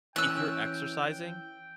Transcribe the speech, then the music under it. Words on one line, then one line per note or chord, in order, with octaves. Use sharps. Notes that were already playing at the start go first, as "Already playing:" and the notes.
if you're exercising,
E3 C#4 G5 E6 F#6